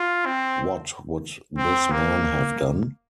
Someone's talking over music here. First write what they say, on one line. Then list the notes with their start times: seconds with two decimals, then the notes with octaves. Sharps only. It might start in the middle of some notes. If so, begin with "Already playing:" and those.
What would this man have done?
Already playing: F4
0.26 C4
1.57 C4
1.91 A#3